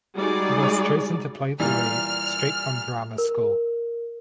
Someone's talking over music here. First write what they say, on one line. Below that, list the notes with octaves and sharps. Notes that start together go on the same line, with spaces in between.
He was chosen to play the lead straight from drama school.
G3 G#3 D#4 F#4 G#4 D5
A#2 E3 G3 F6
A#4